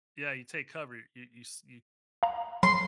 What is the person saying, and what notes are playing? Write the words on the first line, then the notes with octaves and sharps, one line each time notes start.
Yeah, you take cover. You you s y
F5 A#5
F#3 C6